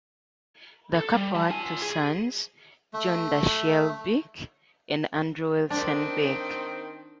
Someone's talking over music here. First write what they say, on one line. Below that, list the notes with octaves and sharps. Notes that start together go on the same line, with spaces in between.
The couple had two sons, John Dashiell Bick and Andrew Wilson Bick.
A4
G3
F3 A5
F4 G#5
G#4
A3
D#3 C4 D4